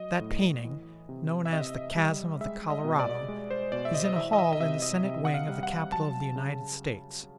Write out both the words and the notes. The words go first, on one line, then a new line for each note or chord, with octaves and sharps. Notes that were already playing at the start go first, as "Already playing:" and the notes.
That painting, known as "The Chasm of the Colorado," is in a hall in the Senate wing of the Capitol of the United States.
Already playing: F#3 D#5
A2
E3
C3
E5
C3 D#5
G3
G#3 E5
D#5
B2
D5
G#3
C5
B2 D5
E5
D#5
D#5
E3 E5
D#5
E5
D#5
C3 E5
D#5
C3
F#5
F5
G3
F#5
F#3 A5
C#3